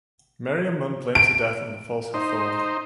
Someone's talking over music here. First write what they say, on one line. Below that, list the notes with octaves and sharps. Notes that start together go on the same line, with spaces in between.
Meriamun blames the death on the False Hathor.
D7
D#4 C5